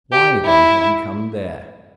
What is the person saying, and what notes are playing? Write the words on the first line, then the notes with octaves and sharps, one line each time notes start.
Why, then, had he come there?
G4
E4